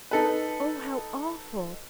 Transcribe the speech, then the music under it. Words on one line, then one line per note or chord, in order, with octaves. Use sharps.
Oh, how awful!
D#4 A4 B4